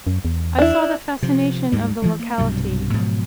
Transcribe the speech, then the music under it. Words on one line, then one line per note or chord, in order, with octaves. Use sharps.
I saw the fascination of the locality.
F#2
E2
D4 E4
C3 F3
D2 G#2 G3
E3 F3 G#3
A#3
B1 G2 C3 F#3
G#2 B2 F3 F#3